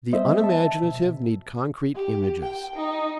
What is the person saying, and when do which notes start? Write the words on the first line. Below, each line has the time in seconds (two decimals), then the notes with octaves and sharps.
The unimaginative need concrete images.
0.12 G3 B3 C5 D#5 E5
0.41 E5 A5
0.83 B2
1.95 G4
2.43 G5
2.76 D#4